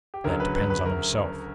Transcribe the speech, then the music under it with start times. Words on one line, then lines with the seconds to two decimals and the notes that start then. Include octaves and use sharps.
'That depends on himself.
0.14 G4
0.24 D2 C#3 F#3 A#4
0.40 B4
0.55 B4
0.70 B4
0.86 A#4